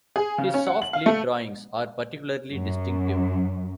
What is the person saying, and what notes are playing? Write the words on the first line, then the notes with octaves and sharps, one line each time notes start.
His soft lead drawings are particularly distinctive.
G#4
C#3
C#4
F#5
F#7
F5
A3
F#2